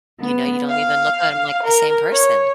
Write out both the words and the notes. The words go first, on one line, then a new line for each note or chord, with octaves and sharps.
You know, you don't even look at 'em like the same person.
B3
F5
A#4
C#5